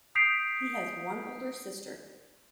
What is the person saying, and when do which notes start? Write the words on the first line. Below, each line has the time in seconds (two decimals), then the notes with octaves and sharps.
He has one older sister.
0.15 D#6 G6 B6 C7 D7 F7